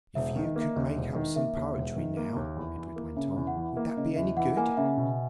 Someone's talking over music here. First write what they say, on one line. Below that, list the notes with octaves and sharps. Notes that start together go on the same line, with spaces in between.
"If you could make up some poetry now," Edred went on, "would that be any good?"
E1 E5
E5
D#3
D#5
A#3 E5
D#2 D#5
E1
D#3
A#3 E5
D#2
E1
D#3
A#3
D#2
E2
E3
A#3
C#3 E5
E2
F#5
E3
A#3 E5
C#3 D#5
E2 E5
E3 F#5
A#3 G#5
C#3 E5
B2